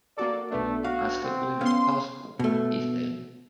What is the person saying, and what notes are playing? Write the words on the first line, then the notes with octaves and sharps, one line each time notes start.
"I still believe it's possible," he said.
A#3 F#4 A4 D5
B1 A3 B3 D4
F#4 F5
C4
B3 C#4 F5 C6
B2 A3